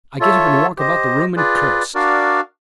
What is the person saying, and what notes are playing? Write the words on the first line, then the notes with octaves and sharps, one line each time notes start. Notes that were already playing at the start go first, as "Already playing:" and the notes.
I get up and walk about the room and curse....
F4 A4 C#5 E5
G4 C5 D#5
F4 G#4 B4 D5
D4 F#4 A#4 D5 F5